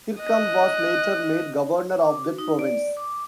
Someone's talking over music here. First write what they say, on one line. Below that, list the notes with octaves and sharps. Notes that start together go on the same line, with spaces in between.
Kirkham was later made governor of that province.
D#5 F#6
D6
F#4
D#4
D5
D6